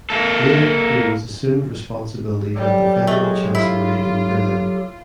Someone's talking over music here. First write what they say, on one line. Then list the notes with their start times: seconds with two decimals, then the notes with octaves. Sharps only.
Later he was assumed responsibilities at the Federal Chancellery in Berlin.
0.10 A#3 A4
2.55 F#3 G3 G4 A4
3.07 G#3 A3
3.55 E4 F4